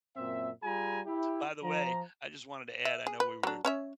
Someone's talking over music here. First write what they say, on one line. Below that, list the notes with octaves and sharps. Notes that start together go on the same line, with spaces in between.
By the way, I just wanted to add, I know we were
F#2 A#2 C4 E5
G3 F4 G#4 G#5 A#5 B5
E4 G4
F3 A#5
E5
G#4
B4
F#3 D4
C#4 C#5 E5